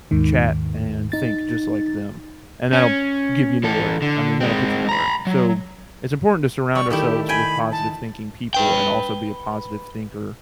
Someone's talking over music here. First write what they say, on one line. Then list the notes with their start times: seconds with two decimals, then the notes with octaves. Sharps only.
chat and think just like them, and that'll give you nowhere I mean, that'll put you nowhere, so it's important to surround ourselves with positive-thinking people and also be a positive thinker
0.11 D#2 G#2 D#3
1.12 D#4 A6
2.73 C#4
3.64 E3 A4
4.02 D3
4.40 G#3 C4
4.89 A#5 B5
5.27 F#3
6.75 G3 C#6
6.90 D#3 A3 E4 G4
7.29 G5 G#5 B5
7.72 A5
8.55 B4 G5